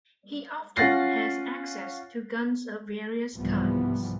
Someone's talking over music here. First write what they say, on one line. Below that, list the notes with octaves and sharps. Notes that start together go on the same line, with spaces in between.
He often has access to guns of various kinds.
C#4 F4 F#5 A6 A#6 C7
C2 G#2 E3 F3 G3 B3